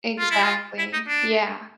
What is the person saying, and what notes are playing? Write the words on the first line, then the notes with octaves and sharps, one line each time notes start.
Exactly. Yeah.
F4
E4
F4
E4
D#4
D4